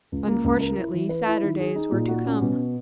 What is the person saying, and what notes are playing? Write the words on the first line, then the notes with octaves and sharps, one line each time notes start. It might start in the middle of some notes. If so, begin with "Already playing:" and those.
Unfortunately sadder days were to come.
C#2
A#3
C#2
A#4
E4
E3
B4
E4
D#3
G#4
D#4
A#2
F#4
C#4
B2